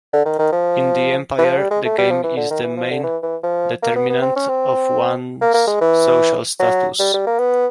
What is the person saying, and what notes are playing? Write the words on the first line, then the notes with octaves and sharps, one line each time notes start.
In the empire, the game is the main determinant of one's social status.
D3
D#3
D#3
F3
E3
F3
G3
G#3
A3
G3
F3
E3
D3
D#3
E3
F3
D3
E3
E3
F3
A#3
B3
B3
C4
C#4
C4
A#3
A#3
G#3
E3
F#3
G3
G3
A#3
B3